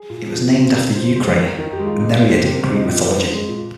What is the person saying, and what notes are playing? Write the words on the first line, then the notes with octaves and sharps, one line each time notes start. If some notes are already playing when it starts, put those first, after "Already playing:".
It was named after Eukrate, a Nereid in Greek mythology.
Already playing: G#4
A#2
F3
C4
C3 A#4
F3 C5
G#3 C5
D#3 A#4
D#3 A#4
G4
G#3
F4
C3 D#4
C4 F4
C3 G4
A#4
C3 C5
D#5
A#2 D#5
C4
G#3
A#2